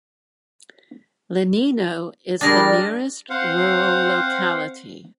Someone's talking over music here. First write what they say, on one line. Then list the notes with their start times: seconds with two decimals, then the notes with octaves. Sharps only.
Lenino is the nearest rural locality.
2.41 G3 D4 G#4 A#4 A6 A#6
3.30 C4 C5 F5 F#5